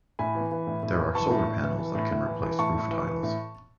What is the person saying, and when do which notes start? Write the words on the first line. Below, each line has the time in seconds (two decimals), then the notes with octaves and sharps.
There are solar panels that can replace roof tiles.
0.19 A2 G#5 B5
0.35 E3
0.51 E3
0.67 A2
0.83 A2
0.99 E3
1.15 E3 A5 C#6
1.31 A2
1.47 A2
1.63 E3
1.79 E3
1.95 A2
2.11 A2
2.27 E3
2.43 E3
2.59 A2 A5 C#6
2.75 A2
2.91 E3
3.07 E3
3.23 A2